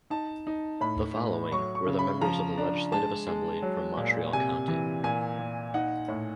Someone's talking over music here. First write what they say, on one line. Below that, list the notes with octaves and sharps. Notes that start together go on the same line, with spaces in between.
The following were the members of the Legislative Assembly from Montreal County.
D#4 A5
D#4
A2 B5
A2
F#3 C#6
C#6
C#3
B5
F3 A#5
D4
G#3 A5
G#3
F#3
A#2
C3 G#5
E3
A#2 G#5
A#2
D#4 F#5
A2